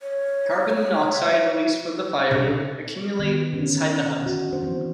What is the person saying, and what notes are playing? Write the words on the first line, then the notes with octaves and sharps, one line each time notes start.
Carbon monoxide released from the fire would accumulate inside the hut.
C#5
E5
C2
D#3 B3
D3 C#4
F#4
D4 C5
E3 F3 B3 C4